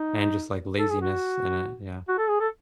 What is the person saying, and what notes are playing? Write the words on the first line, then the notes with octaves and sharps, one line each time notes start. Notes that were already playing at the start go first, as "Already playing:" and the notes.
and just like laziness in it, yeah.
Already playing: D#4
A4
G#4
F#4
F#4
A4
G#4
A4